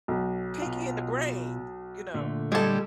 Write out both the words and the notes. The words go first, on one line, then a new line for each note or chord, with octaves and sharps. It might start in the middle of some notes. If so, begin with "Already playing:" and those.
Pinky and the Brain, you know?
B1
B2 F4
A#2 D3 A3
G3 G#3 A4 D6 G#6